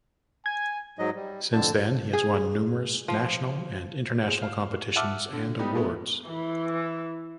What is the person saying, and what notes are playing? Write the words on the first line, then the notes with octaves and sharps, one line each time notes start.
Since then he has won numerous national and international competitions and awards.
G#5 G#6
G#2 F#3 D#5
G3
F2 D3 A5
G#4
F3
G#3
F5
E5 F#5 A5 D6 E6 F6
D3
G3 B3 D#4
G#3 A3 B3
E3